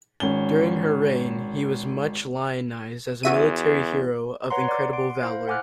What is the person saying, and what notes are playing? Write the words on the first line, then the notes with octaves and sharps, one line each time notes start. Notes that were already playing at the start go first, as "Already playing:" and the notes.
During her reign he was much lionized as a military hero of incredible valor.
G#1 C#4 G7
E2 F#4 E5 D#7
B4 C#5 F#5 A#5 C6
D5 D6
F#5 C6 D7
E4 C5 F5
F#5 G#5 D6 F6 F#6